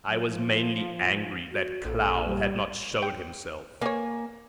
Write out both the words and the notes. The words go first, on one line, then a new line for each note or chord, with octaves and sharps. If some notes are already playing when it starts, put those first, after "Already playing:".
I was mainly angry that Klow had not showed himself.
F#3
F3
F#4
A#1 A4
G3
G5
A#3 B4 C#5 G#5